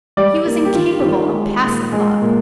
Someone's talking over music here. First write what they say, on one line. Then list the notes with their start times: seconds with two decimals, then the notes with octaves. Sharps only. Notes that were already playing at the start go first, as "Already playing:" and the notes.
He was incapable of passive love.
0.17 G3 D5
0.46 A#3
0.65 G4
0.75 D#3 F4
1.00 G4
1.05 D#3 F4
1.34 G#3
1.63 A#2
1.92 G#3
2.22 A#2